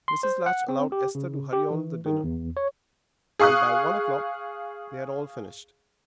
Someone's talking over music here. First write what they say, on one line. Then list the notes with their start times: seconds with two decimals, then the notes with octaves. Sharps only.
Mrs. Latch allowed Esther to hurry on the dinner, and by one o'clock they had all finished.
0.08 C6
0.23 C5
0.46 F#5
0.69 C4
0.92 G4
1.15 C#3
1.53 G4
1.71 E3
2.06 D#3
2.24 E2
2.57 C#5
3.39 G#4 F5 C#6 D#6 F#6